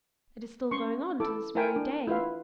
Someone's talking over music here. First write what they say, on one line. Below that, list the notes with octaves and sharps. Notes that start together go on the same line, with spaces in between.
It is still going on to this very day.
C#4 C6 C#6
E4 A4 D6
E4 A#4 C5 G5 G#5
D4
E4 F4 B4 F5